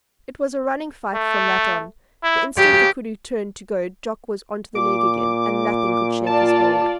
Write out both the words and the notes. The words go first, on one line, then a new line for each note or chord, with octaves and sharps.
It was a running fight from that on: the instant the koodoo turned to go Jock was on to the leg again, and nothing could shake his hold.
A3
E4
C#3 G4
A#2 D6
F4 D5 A5